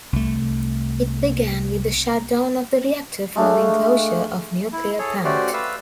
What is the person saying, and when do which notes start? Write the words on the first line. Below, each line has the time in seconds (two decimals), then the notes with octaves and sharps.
It began with the shutdown of the reactor following closure of nuclear plant.
0.13 C2 A3
3.36 G#3 A3 D4 F5
4.72 E4
4.99 G#4 A4 C#5
5.24 A3 C#4 F#4 G4 C5 D5
5.54 B4 F5 E6